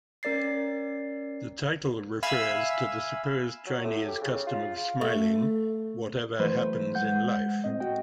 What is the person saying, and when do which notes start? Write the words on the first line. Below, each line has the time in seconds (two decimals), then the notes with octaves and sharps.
The title refers to the supposed Chinese custom of smiling, whatever happens in life.
0.23 C#4 A#4 D5 A6 C7
2.23 E5 F5 G#5 B5 E6
3.66 F#3
3.84 A2
4.08 G4
4.21 C#3
4.47 F4
5.01 A3
6.39 E3 F#3 A3 B4 C5
6.95 G#3 F#5 G6
7.64 A2 C4 D#5
7.80 F#4 D#5 G5